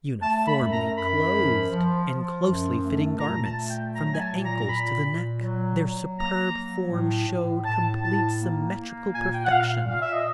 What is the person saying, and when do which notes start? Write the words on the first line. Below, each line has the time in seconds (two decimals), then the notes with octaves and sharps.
Uniformly clothed in closely fitting garments from the ankles to the neck, their superb forms showed complete symmetrical perfection.
0.21 A3 A5
0.46 B5
0.59 F#2
0.71 A#5
0.96 F#2 B5
1.32 F3
1.70 F3
2.08 F3
2.44 F#2
2.82 A3
3.18 A#2 A#5
3.43 A5
3.56 A3
3.69 G5
3.93 F#3 A#5
4.12 G#5
4.18 A5
4.31 A#2
4.43 A#5
4.60 A#5
4.67 A#2 B5
5.05 A#2
5.41 F#3
5.79 F#3
6.16 A#3 A#5
6.54 F#3
6.90 A2
7.28 A2
7.65 A2 A5
8.01 A2 A5
8.39 A#3
8.77 A#3
9.13 A#2 G#5
9.32 G5
9.45 F#5
9.50 A#2 F5
9.69 F5
9.87 A#2 F5
10.00 E5
10.12 D#5